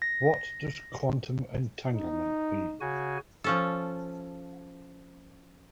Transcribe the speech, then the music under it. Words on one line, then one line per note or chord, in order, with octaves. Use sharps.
What does Quantum entanglement mean?
A#6
D#4
C#3 F#4 G#5
F3 C#4 A4